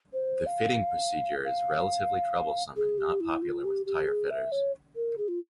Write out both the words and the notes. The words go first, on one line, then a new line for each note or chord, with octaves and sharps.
The fitting procedure is relatively troublesome and not popular with tyre fitters.
C5
F5
F5
G#4
G4
E4
F4
G4
G4
G#4
E5
C#5
A#4
G#4
F4